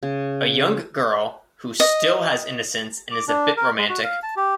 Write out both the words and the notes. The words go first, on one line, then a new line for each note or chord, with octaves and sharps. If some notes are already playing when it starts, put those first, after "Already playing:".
A young girl who still has innocence and is a bit romantic.
C#3
D#5
D6
D4
A#4
G#3
F#4
F5
A5
G4